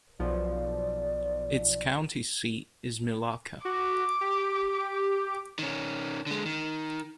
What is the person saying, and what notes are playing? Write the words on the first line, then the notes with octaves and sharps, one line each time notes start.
Its county seat is Milaca.
B1 F3 D5
F#4 D6
G4
D#3 C#4
D3 G#3
D#3